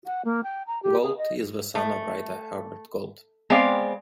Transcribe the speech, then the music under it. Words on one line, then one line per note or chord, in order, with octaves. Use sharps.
Gold is the son of writer Herbert Gold.
F#5
A#3
G5
A#5
G4
G#4
D#5
A3
G#3 B3 C4 D5 F5